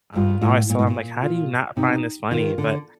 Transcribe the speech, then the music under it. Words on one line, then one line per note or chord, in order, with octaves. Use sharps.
um, I always tell her, I'm like, "How do you not find this funny?" But
G2 F4
A2
A#2
A2
A#2
F4
C3 D#4
D#3 F4
D3